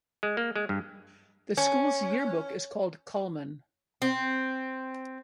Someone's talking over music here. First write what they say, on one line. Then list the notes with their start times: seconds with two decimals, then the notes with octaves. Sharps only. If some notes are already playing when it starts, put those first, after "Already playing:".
The school's yearbook is called "Culmen".
0.23 G#3
0.37 A#3
0.56 G#3
0.69 G2
1.57 C#4
4.02 C4